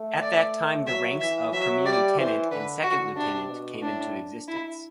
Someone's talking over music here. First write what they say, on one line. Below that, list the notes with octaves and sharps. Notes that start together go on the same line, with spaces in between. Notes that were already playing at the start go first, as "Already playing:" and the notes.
At that time the ranks of "Premier-Lieutenant" and "Seconde-Lieutenant" came into existence.
Already playing: A3
D5
F#3 E5
E3 E5
F#3 E5
G3 D5
E3 C5
D3 B4
D3 F#4
C3 D4
B2
A2 D4
E4